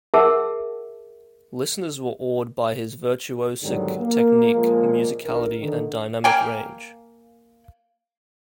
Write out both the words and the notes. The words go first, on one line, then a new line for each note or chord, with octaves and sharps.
Listeners were awed by his virtuosic technique, musicality, and dynamic range.
G#4 A#4 E5 F#5 A5
E2 G#2 D3 D#3 F#3 G3
A#3
A#2 F3 G#3 A#3
A#1 D#3 A#4
D3 D#3
A#3 G5 G#5